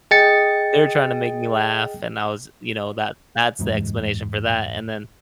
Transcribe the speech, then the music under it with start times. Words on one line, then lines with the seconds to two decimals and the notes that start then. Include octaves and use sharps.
"They're trying to make me laugh and I was" you know, that that's the explanation for that, and then
0.11 G#4 D#5 G5 A6 C#7
3.59 F#1 E2 G#2